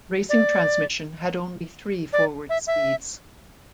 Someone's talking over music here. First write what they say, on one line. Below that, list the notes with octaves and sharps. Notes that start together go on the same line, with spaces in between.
Racing transmission had only three forward speeds.
D5
D5
E5
E5